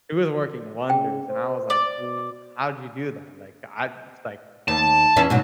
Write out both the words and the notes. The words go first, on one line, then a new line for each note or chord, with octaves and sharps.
It was working wonders, and I was like, "H how'd you do that? Like, I it's like,
C#3 G5
C5
D5
B2
D#2 A5
E2 C#4 E4
G#2 B2 F#3